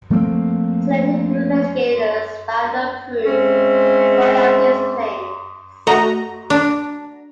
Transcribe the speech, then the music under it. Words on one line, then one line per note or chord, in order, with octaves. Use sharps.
Senate investigators found no proof for any of these claims.
F3 A3 A#3 C4
G#3 C4 C#4 E5
A3 F#4 D#5 A#5
D4